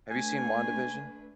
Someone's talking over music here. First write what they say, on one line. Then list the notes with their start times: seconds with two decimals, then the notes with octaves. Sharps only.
have you seen WandaVision?
0.11 A3 D4 B4 G#5